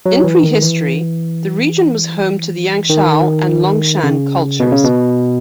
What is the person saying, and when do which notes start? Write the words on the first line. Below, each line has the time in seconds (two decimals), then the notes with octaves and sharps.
In prehistory, the region was home to the Yangshao and Longshan cultures.
0.06 F#3
0.24 E3
0.43 D#3
0.62 E3
2.90 D#3
4.03 C#3
4.60 B2
4.72 C#3
4.84 B2